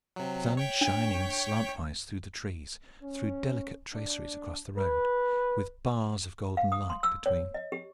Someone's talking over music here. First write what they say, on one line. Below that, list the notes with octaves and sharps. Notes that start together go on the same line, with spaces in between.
The sun shining slantwise through the trees threw delicate traceries across the road, with bars of golden light between.
C3 F#3
C#5 G5 B6
D4
C#4
D4
B4
F5
D#6
C6
E6
C#5
D#5
G4